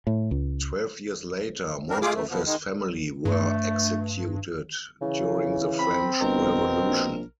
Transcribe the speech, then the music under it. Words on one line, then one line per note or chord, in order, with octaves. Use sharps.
Twelve years later most of his family were executed during the French Revolution.
A2
C#2
G3 C4 D4 A#4
G#3 A3 F4 G#4 D6
F#2 A3
B2 F3 B3
D#3 G#3
G2 A3
C#3 E3
C4 B5
G1 B2 A#4
A#1